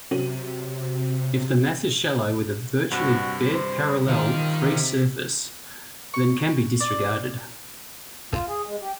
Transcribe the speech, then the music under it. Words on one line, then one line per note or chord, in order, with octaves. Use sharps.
If the mass is shallow with a virtually bed-parallel free-surface, then can be disregarded.
C3 F#3 D#7 F#7
G2 C3 G3 F#4
C5
D#3 F4
C3
C#6
D5
F4
G#4
G#3
G4